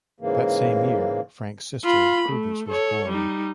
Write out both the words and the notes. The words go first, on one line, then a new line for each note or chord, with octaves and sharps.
That same year Frank's sister Prudence was born.
G#2 C#3 E3 A#3
F4 B5
A3
A4 C#5
G3 D#4